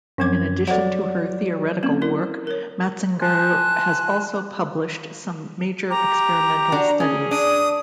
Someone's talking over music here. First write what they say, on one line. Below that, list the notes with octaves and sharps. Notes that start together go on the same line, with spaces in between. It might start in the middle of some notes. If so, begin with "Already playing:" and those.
In addition to her theoretical work, Matzinger has also published some major experimental studies.
F#2 F3 C4 D6 G#6
F#3 A4 C5 D5 F#5
A#3 C4 C#4
E4 A#4
A#4 C#5
G#5 A5 C6 F#6
G4 A#5
D4 F#4
C#4 G#4
D4 D#6